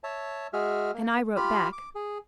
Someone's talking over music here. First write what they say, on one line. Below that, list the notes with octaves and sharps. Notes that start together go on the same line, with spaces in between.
And I wrote back.
C#5 E5 A5
G#3 F#4 G#4 E5 F6
A#3
F4 G4 B5 F6
D6
G#4